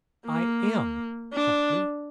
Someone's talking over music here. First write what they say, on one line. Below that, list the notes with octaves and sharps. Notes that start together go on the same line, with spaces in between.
"I am!" hotly.
A#3
D4